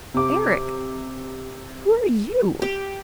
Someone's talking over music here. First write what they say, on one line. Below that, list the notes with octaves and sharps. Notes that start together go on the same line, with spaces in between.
"Eric,--who are you?"
C3 D6
G4